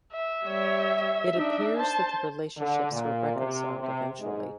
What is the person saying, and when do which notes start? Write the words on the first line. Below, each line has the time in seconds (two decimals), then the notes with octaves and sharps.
It appears that the relationships were reconciled eventually.
0.12 E5
0.45 G3 C#5
1.34 D4 D#4
1.77 C5 A5
2.57 D3
2.92 A#2
3.36 C3
3.78 C3
4.20 G#2